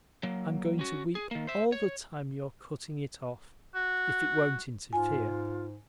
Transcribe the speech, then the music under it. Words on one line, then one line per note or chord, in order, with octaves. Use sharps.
I'm going to weep all the time you're cutting it off, if it won't interfere.
F#3 A#3
C#4 F#4
G#4
D#3 A#3
C5 E5
C#5
F#4
G#2 F4 G#5